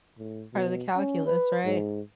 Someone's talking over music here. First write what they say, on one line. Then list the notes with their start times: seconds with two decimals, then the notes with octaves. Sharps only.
part of the calculus, right.
0.18 A2
0.54 B2
0.96 C#4
1.26 B4
1.65 G#2